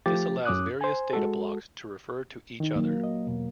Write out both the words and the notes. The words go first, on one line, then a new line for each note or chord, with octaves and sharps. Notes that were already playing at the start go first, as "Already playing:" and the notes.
This allows various data blocks to refer to each other.
F3 A3 G4 A6
F#2 C#4 D6 D#6 F#6
C5 G#5
G#3 F#4 A4
D#3 D#4
F#3 A#3
D#5
E2 B2